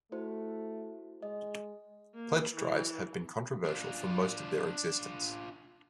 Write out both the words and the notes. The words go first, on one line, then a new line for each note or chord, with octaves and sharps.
Pledge drives have been controversial for most of their existence.
A3 E4 F#4 C5
G#3 D#5
A#3
E3
D4 F4